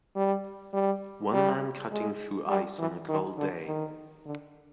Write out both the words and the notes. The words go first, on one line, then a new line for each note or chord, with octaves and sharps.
One man cutting through ice on a cold day.
G3
G3
G3
G#3
G3
E3
D#3
D3
D#3
D3